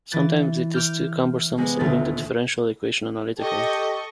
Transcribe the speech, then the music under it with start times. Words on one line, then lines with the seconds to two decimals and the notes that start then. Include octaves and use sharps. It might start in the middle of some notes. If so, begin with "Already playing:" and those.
Sometimes it is too cumbersome solving the differential equation analytically.
0.12 E3 A6
0.74 D6 F6 G6
1.58 C3 G#3 B3
1.79 D#1 D2 A6
3.39 G4 A4 D#5 C#6